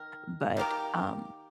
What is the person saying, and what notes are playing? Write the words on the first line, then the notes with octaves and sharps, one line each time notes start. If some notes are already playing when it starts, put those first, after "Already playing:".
but, um,
Already playing: D#3 A#4
D#3 A#3 G4 A#4